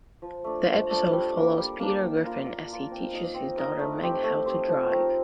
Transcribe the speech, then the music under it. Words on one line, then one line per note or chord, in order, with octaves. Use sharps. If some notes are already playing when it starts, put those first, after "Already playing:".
The episode follows Peter Griffin as he teaches his daughter Meg how to drive.
F3
A3 D4
F3
A3 D4
G3
A#3 D4
G3
A#3 D4
A#3
F4 A#4
A#3
A#4
F4
C4
D#4 A#4 D#5
C4
D#4 A#4 D#5
A3
C4 G4 C5
A3
C4 G4 C5
F3
C4 D#4 A#4